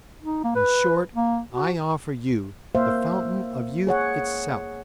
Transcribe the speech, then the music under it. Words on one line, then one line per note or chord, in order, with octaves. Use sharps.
"In short, I offer you the fountain of youth itself!"
D#4
A#3
B4
A#3
F#4
A#3 C5 E5 F5
G#4 C#5 F#5